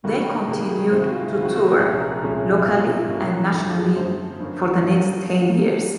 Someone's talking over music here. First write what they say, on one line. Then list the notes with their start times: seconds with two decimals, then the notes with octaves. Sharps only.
They continued to tour, locally and nationally, for the next ten years.
0.04 C3 D#3 G3 A#3 F#4
0.26 G4
0.48 C3 D#3 G3 A#3 G#4
0.69 G#4
0.91 D2 C3 D#3 G#3 C5
1.02 F#4
1.13 F4
1.23 E4
1.34 D2 C3 D#3 G#3 F4
1.45 F#4
1.56 F#4
1.67 G4
1.78 C2 A#2 F3 G#3 C#4 G#4
2.00 A#4
2.22 C2 A#2 F3 G#3 C#4
2.57 E4
2.65 B2 F#3 A#3 C#4 F4
2.76 F4
2.87 E4
2.97 E4
3.08 B2 F#3 A#3 C#4 E4
3.20 E4
3.31 F#4
3.41 G4
3.52 F#2 D3 F3 A4
3.75 G#4
3.96 F#2 D3 F3 C5
4.40 G2 D3 F3 A#3 C#4
4.82 G2 D3 F3 A#3 C#4 F5
4.94 F#5